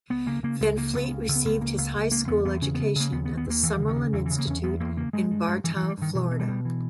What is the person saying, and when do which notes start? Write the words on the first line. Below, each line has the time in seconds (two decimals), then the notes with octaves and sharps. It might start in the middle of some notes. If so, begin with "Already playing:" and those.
Van Fleet received his high school education at the Summerlin Institute in Bartow, Florida.
0.10 C#2 B3
0.26 C#3 A#3
0.43 C#3 A#3
0.60 C#2 G#3
0.77 C#3 A#3
0.93 C#2 B3
1.11 C#3
1.28 C#2
1.36 B3
1.45 C#2
1.61 C#3 A#3
1.78 C#2
1.95 C#2
2.11 C#3 A#3
2.28 E2 B3
2.45 E2 B3
2.62 C#3 C#4
2.75 C#3 B3
2.95 C#3 A#3
3.12 D#2 B3
3.25 B3
3.29 D#2
3.37 B3
3.46 D#2 A#3
3.63 D#2 E3
3.80 C#3
3.88 D#3
3.96 C#3
4.13 E2 E3
4.25 C#3 E3
4.38 A#3
4.46 E2 C#4
4.63 E2 B3
4.80 E2 A#3
4.97 C#3 A#3
5.13 G2 G#3
5.31 G2
5.48 G2
5.64 G2 E3
5.77 G2 E3
5.89 G3
5.98 G2 D#3
6.15 B2 E3
6.31 B2
6.40 G3
6.48 B2
6.65 E3